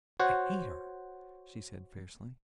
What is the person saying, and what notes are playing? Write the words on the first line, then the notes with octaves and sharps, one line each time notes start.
"I hate her," she said fiercely.
F#4 C5 C#5 F#5